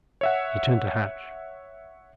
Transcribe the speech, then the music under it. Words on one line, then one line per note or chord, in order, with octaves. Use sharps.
He turned to Hatch.
C#5 E5 F#5